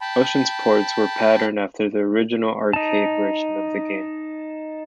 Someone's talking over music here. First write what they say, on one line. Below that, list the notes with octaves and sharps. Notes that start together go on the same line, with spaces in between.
Ocean's ports were patterned after the original arcade version of the game.
G5 A5 B5
D#4 A5